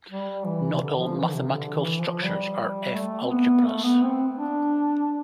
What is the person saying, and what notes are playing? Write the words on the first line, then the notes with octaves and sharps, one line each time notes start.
Not all mathematical structures are F-algebras.
G3
E3
C3
D3
F3
E3
D3
C3
D3
E3
F3
G3
A3
C4
B3
A3
B3
C4
D4